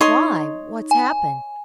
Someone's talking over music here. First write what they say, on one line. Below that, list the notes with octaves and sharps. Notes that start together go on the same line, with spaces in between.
'Why, what's happened?
D#4 C#5 D#5 C6
G#5